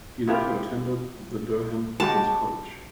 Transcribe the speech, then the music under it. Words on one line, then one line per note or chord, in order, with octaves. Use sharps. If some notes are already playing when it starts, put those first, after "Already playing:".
He later attended the Durham Pitmans College.
E4 F4 G4
G#3 F#4 G4 A5